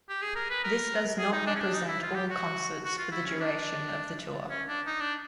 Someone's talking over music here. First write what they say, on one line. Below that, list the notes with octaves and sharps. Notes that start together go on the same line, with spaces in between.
This does not represent all concerts for the duration of the tour.
G4
G#4
A#4
B4
A#4
G#4
D#4
D4
C#4
D4
D#4
E4
F4
G4
F#4
F#4
F4
E4
C#4
D4
C#4
D4
D#4
D4